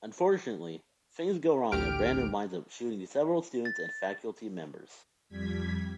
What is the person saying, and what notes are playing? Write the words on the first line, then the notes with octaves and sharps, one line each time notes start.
Unfortunately, things go wrong and Brandon winds up shooting several students and faculty members.
A1 D2 G4 F6 D7
A6
F2 G3 G#6 B6